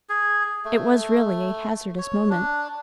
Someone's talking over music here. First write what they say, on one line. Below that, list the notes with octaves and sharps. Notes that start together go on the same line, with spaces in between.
It was really a hazardous moment.
G#4
A3
C#5
D4